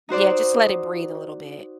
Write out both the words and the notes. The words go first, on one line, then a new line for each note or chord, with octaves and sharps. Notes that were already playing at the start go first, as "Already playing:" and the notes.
Yeah, just let it breathe a little bit.
D#4 F#4 C5 D5